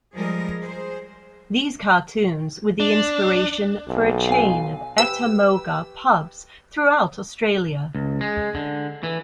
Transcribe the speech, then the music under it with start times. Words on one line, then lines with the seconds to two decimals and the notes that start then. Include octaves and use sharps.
These cartoons were the inspiration for a chain of Ettamogah Pubs throughout Australia.
0.14 F3 G3 G#3 G#4 A#4 D#5
0.62 G#4 C5
2.80 D4
3.87 B1
4.29 F5 G#5
4.98 G4 B4 E6
7.95 C#2
8.21 G#3
8.55 D3
9.03 E3